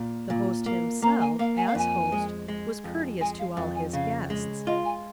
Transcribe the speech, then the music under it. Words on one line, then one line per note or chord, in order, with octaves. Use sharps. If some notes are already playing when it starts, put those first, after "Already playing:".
The host himself, as host, was courteous to all his guests.
Already playing: A#2
A#2
A#3
A#3 A#5
G#5
A#3 F5
G#5
F5
F2 G#5
G#3
G#3
F2
G#3 G#5
F5
F2
G#5
C#3 F5
G#3
F4 D#5
G#5